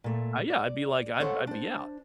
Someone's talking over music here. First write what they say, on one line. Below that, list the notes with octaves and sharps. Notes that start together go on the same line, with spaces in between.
Uh, yeah, I'd be like, "I'd I'd be out,"
A#2 A3
D5
A4 C5 C#5 F5 F#5
D4 C5